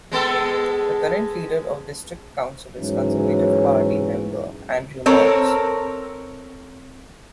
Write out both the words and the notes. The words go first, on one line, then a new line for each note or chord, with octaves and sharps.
The current leader of the district council is Conservative Party member Andrew Mobbs.
G#3 B3 A4
G#2 E3 F#3 C#4
C4 A4 A#4 C#5